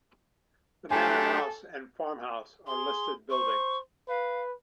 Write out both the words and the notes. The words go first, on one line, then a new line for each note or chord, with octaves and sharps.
The Manor House and farm house are listed buildings.
F#3 A3 D4 G4 A4 G5 G#5 C6
G#4 C6
C5 C#6
B4 F5